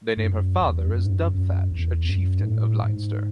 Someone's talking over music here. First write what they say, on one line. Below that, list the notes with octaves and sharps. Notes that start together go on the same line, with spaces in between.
They name her father as Dubhthach, a chieftain of Leinster.
G#2
F#2
E2
F#2
G#2
F#2
F#2
E2
F#2
G#2
A2
G#2